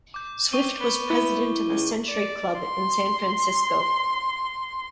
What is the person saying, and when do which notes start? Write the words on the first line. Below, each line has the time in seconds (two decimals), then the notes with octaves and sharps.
Swift was president of the Century Club in San Francisco.
0.14 D6 G6
0.52 C4 C#6 D#7 G7
0.80 B3 G7
1.10 B3 E4
1.69 C#2
2.09 D5
2.61 C6